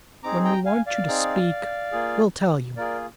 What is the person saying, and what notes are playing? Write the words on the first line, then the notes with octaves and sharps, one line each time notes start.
"When we want you to speak we'll tell you."
C4 D#4 G#4 A#5 D6
G5 A#5
F5 G#5
D5 F5
C4 D#4 G#4
A#3 F4 G#4
A#3 F4 G#4 A#4 D5